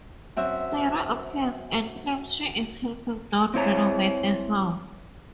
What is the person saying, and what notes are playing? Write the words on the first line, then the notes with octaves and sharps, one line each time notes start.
Sarah appears and claims she is helping Don renovate the house.
F#2 C4 F#4 E5
C4 E4 C#5 A#5